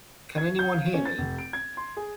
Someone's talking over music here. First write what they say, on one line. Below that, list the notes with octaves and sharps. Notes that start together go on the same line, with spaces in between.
Can anyone hear me?
G#6
G6
F5
C#4
A6
F1
D7
G#6
C6
G#4